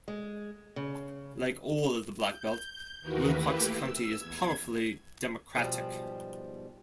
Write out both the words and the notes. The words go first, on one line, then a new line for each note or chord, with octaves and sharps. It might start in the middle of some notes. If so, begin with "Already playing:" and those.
Like all of the Black Belt, Wilcox County is powerfully Democratic.
G#3
C#3
G6
D#2 D#3 E3 F#4 A#4 B4
A3 A#3 E4 G4 B4
E6
E2 G#6
G#2 B2 F3 G3